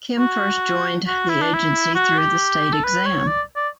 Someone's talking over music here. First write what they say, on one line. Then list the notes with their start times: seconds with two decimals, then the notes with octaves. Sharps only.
Kim first joined the agency through the state exam.
0.19 F#4
1.07 F#4
1.29 E4
1.41 D4
1.54 E4
1.95 F#4
2.18 G4
2.73 A4
2.84 B4
3.06 C#5
3.28 D5
3.56 D5